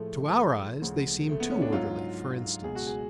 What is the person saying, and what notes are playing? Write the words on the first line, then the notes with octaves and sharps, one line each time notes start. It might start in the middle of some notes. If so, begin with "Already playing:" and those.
To our eyes they seem too orderly, for instance.
Already playing: A2 F3 G#3 A3
D2 C#3 F3 G#3
A3
B3
C#4
D4
G#2 F#3 F4
C#2 B2 G#3 G#4
F#4
G#4